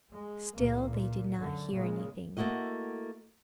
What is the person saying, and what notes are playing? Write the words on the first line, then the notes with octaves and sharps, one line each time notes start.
Still they did not hear anything.
G#3
C#2 A#2 E3 A#3
A#2
F#2 D3
A#2 C#3 G#3
A3 A#3 E4 F#4 D#5